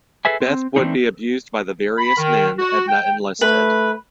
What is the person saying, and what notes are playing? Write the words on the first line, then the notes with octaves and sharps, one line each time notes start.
Beth would be abused by the various men Edna enlisted.
G#4 A4 B4 E5 G#5
C4
E3 F3 A3 C4 D4 D#4
B5
D#3
F#4
G5
A3 B4